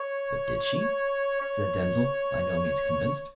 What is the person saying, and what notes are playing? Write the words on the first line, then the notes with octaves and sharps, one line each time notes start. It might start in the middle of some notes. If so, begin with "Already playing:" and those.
"But did she?" said Denzil, by no means convinced.
Already playing: C#5
C#5